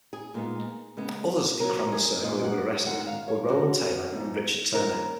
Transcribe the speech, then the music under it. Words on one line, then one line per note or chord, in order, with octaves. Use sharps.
Others in Cranmer's circle who were arrested were Rowland Taylor and Richard Turner.
G#4
A#2 G#3 B3 D#4
C#3 G#3 B3
A#2 F#3 B3 A#4
G#4
A#2 G#3 B3 D#4 D#5
F#5
G#2 D#3 G#3 D#4 F#5
F#5
F5
C#5
F2 C#3 G#3 C#4 F#4
G#2 F3 B3 D#4
D#2 C#3 F3 A#4